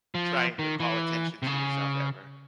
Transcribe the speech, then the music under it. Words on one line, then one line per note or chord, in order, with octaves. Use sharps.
trying to call attention to yourself ever?
F3
D#3
E3
C3
C#3